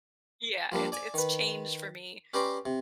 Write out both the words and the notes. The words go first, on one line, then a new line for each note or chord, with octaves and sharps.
Yeah, it's it's changed for me
F3 G3 A#3 D4
D5 G#5
D#3 B4
C#4 G4 B4 D5 A#5 C6
C3